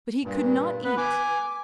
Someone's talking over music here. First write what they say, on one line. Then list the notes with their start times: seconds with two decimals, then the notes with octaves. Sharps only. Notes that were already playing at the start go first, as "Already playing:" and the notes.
But he could not eat.
0.24 G2 A#2
0.84 B3 B4
0.98 G#5 D6